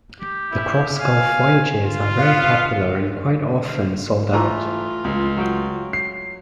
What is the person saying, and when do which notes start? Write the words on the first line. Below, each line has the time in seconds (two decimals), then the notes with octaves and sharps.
The cross-gulf voyages are very popular and quite often sold out.
0.20 G4
0.51 E4
1.00 F5 G#5
1.83 F4
2.19 B3 F5
3.69 F5
4.33 E3 A3 F4 B4 A#5
5.04 C#2
5.37 F#3 G5
5.93 C7